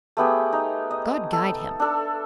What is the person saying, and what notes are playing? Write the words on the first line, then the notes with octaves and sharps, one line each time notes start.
God guide him!...
A3 B3 G4 G#4
D#4
D#5
A4
D4 A4